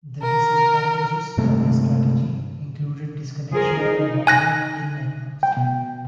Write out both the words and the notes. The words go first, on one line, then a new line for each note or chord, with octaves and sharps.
The disadvantages of this strategy included disconnection from wider kin networks.
A#4
G2 C3 G#3 A3
F3 G#4 A#4
D#4
G#5 F#6 A#6
G5
B2